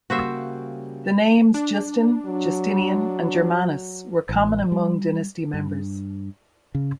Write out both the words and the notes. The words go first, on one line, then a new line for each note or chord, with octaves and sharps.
The names Justin, Justinian and Germanus were common among dynasty members.
C#3 G3 A#3 F#4 C5 E5
D4
F#3
A1
G3
G2
C#3